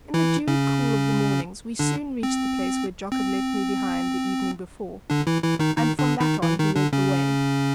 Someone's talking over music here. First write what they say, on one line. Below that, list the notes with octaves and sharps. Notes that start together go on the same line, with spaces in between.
In the dewy cool of the morning we soon reached the place where Jock had left me behind the evening before; and from that on he led the way.
E3 E4
C#3 C#4
D3 D4
C4
C4
D3 D4
E3 E4
E3 E4
D#3 D#4
D#3 D#4
D3 D4
D#3 D#4
E3 E4
D#3 D#4
D3 D4
C#3 C#4